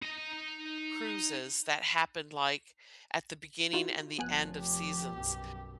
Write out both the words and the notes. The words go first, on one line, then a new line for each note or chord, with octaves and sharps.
cruises that happen, like, at the beginning and the end of seasons.
D#4 A#5
D#4 F4 F#4
F1 F3 B3 G#5 F#6
G4
B1 F#2